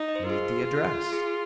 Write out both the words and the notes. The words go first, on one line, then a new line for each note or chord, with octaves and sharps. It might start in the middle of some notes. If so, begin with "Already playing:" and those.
"Read the address."
Already playing: D#4
D#5
C5
A#4
F4 G#4
G#4